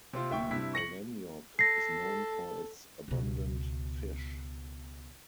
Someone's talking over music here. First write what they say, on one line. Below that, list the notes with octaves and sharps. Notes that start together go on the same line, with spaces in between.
The Olenyok is known for its abundant fish.
C3 C4 F4
D1 E5 G5 C#6
G2 C3 E4 B6
C#6 A#6 C#7 F#7
A4 A#6 C7
C#2 B2